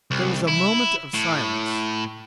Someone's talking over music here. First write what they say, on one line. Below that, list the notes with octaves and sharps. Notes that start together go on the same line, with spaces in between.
There was a moment of silence.
C2
E4
A2